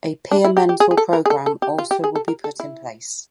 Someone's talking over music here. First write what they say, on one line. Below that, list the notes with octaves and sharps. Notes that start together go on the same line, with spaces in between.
A peer mentor program also will be put in place.
D4
E4
G4
G4
G#4
G#4
A4
A#4
G#4
A4
A4
G4
F4
G4
G#4
A4
A#4
A4
E4